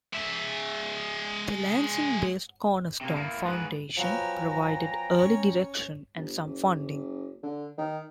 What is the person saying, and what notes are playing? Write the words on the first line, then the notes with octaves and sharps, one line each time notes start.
The Lansing-based Cornerstone Foundation provided early direction and some funding.
G#3 E5
C3 A#3
A#3 E4
G#2 B4
F3 F#3 B3 G5 G#5 A#5
C#4
G1
F#1
D3
D#3